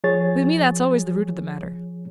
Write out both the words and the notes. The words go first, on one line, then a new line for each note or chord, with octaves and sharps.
With me that's always the root of the matter.
F3 G#4 C#5 A6